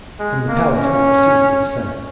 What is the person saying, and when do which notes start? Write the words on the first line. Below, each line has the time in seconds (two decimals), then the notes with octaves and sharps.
From the palace they proceeded to the senate.
0.19 G#3
0.48 A#3
0.77 C#4